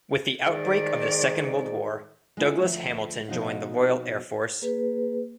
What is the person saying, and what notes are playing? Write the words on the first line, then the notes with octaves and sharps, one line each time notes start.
With the outbreak of the Second World War, Douglas-Hamilton joined the Royal Air Force.
G#2 D#3 D5
G#3 D4 E4 F4
D2 F3 E5
B2 F3 D#4 F#4 D#5 F5
A#3 G#4 B4